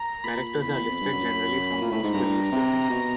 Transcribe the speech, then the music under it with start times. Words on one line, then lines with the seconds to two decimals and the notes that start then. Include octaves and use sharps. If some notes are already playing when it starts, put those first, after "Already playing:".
Directors are listed generally from most to least recent.
Already playing: A#5
0.24 A#2 B5
0.62 E2 B5
0.87 F2
1.01 G2
1.12 F#2
1.81 A#2
1.92 A2
2.03 G#2
2.14 G2 A#5
2.52 C3
2.90 B2